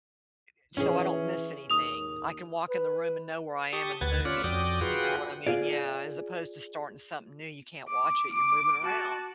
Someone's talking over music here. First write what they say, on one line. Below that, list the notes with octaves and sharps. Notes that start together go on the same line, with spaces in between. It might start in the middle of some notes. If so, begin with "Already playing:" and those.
i so I don't miss anything. I can walk in the room and know where I am in the movie, you know what I mean? Yeah, as opposed to starting something new, you can't watch it, you're moving around.
E3 C#4 G#4
D#2 D#6 F7
B4
G4 A5 C#6 D#6
D2 B4 F#5 G#6 A6
C#4 F4 D5 F#5 B5
F2 F#4 D5 G5 D6 D#6
F4 F#4 G#4 B4 F#5 G5
F4 G#4 D5
D6
D6
F#4 A5